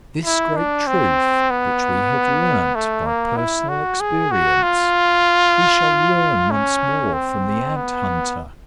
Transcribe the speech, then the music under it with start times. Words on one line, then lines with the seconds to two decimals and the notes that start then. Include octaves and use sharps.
This great truth, which we have learnt by personal experience, we shall learn once more from the Ant-hunter.
0.25 E4
0.56 D4
0.87 C4
1.50 B3
2.75 A3
3.06 A#3
3.37 E4
3.69 F#4
4.00 G#4
4.31 F#4
4.63 F4
6.51 C#4
7.13 C4
7.76 B3